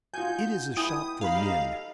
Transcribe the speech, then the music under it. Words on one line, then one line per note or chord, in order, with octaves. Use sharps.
It is a shop for men.
D#4 F4 F#4 G#5 G6
E4 G5 G#5 D#6
D#4 F5 B5
G4 A4 D#5